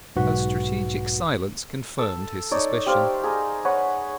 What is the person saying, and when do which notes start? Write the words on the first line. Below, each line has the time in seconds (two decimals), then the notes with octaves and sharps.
Her strategic silence confirmed his suspicion.
0.16 B1 G#2 F#4 B4
1.99 A4
2.51 D#4 C#5 D5
2.86 G4 C5 F5
3.24 G#4 A#4 A#5
3.65 B4 C#5 F#5